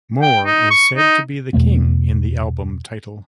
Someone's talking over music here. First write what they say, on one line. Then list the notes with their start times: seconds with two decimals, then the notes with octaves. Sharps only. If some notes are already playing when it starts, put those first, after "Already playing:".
Moore is said to be the "King" in the album title.
0.22 G5
0.46 D#4
0.71 C#6
0.97 D#4
1.53 E2 B2 A3 B3